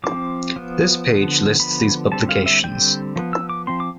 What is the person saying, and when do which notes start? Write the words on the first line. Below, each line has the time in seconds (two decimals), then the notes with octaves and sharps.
This page lists these publications.
0.04 F3 C4 D6
0.56 F3 B3
1.08 D3 F3 B3
1.59 D3 F3 B3 B5
2.12 D3 G3 C4 A5
2.29 F5
2.46 E5
2.63 D3 G3 C4 G5
3.16 F3 B3
3.33 E6
3.49 D6
3.67 F3 C4 C6
3.80 D6